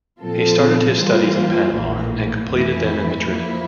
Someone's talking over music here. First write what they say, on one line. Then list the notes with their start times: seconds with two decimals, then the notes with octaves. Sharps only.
He started his studies in Panama and completed them in Madrid.
0.20 A#2 F3 C4 F4 A4
0.97 E3 G3 A#3 F4 C5
1.73 A#1 A2 E3 A#3
2.50 F2 E3 A3 E4
3.27 F3 A#3 E4